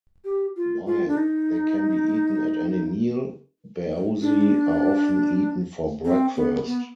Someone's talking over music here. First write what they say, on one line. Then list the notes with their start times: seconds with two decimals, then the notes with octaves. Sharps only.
While they can be eaten at any meal, baozi are often eaten for breakfast.
0.25 G4
0.57 F4
0.86 F4
1.08 D4
1.17 D#4
4.22 D4
6.05 C4
6.36 B3
6.67 B3